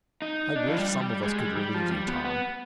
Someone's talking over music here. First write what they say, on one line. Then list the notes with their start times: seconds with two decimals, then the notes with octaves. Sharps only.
"I wish some of us could relieve you, Tom."
0.22 D#4
0.56 D4
0.67 F3
0.78 G3
1.01 G3
1.24 G#3
1.40 G3
1.57 G3
1.74 F3
1.91 G3
2.08 B3
2.25 B3